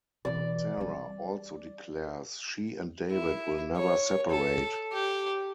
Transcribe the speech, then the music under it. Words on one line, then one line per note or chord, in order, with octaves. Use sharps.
Sara also declares she and David will never separate.
B2 E3 D5
G3 C4
E4
C#5
A4
G4